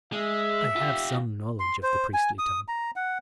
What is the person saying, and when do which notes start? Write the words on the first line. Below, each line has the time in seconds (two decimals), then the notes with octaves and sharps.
"I have some knowledge of the priestly tongue."
0.13 G#3 E5
0.76 F4 G4
1.59 C6
1.83 C5
2.14 G#5
2.39 D#6
2.68 A#5
2.96 F#5